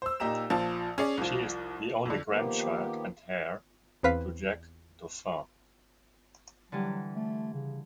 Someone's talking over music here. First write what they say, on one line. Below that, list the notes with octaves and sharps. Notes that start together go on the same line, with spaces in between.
She is the only grandchild and heir to Jacques Dauphin.
C5 E6
A#2 D#4 G4 A#5 E7
A#1 F3 A5
C#4 G#4 D5
C2 F3
F2 D3
D#3 F3 A#3 B3 G4
E2 C4 B4 F5 B6
D3 E3 F#3 G3
A3
C#3